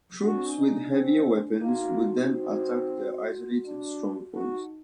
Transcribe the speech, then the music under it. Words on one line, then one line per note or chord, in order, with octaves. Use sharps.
Troops with heavier weapons would then attack the isolated strongpoints.
D4 F#4
C4
D4
D#4
C4
A#3 D#4
F#4
D#4
F#4
D#4
F#4
D#4
F#4
C4 D#4
F#4
D#4
F#4
D#4
F#4
D4
D#4 F#4